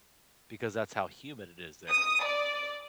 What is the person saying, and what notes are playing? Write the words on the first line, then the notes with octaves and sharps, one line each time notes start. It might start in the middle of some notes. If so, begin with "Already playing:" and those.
because that's how humid it is there.
D#6
D5